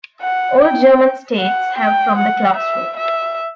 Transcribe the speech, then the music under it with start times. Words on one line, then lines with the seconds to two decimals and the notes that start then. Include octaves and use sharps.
All German States have from the classroom.
0.21 F#5
0.61 G5
1.39 F#5
1.78 G5
2.18 F#5
2.57 E5
2.97 E5